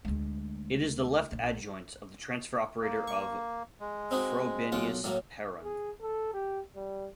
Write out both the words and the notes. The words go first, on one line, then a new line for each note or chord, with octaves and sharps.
It is the left-adjoint of the transfer operator of Frobenius-Perron.
D2 G#3
A#1
A#3
C#6
G#3
C4 D#4 F#4
B1 F4 F#5
A2 F#3 A#3
G#4
A4
G4
G3